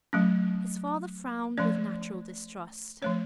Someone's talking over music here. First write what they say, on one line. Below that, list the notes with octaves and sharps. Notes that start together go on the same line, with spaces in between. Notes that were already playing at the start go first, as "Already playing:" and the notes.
His father frowned with natural distrust.
F#3 A3 C#4
F3 A3 C#4 D5
F3 A3 C#4 C#5